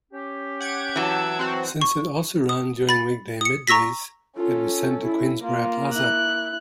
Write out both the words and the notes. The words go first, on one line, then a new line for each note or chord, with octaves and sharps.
Since it also ran during weekday middays, it was sent to Queensboro Plaza.
C#4 G4
F#5 G#6 D7
E3 F#3 A5 E6
C4 F#4
C#6
D#6
B5 A6
D#6 C#7
A#5 C#6 E6 A#6 B6
C#4 F4 A4
E4
A#3 F4
E4 F#6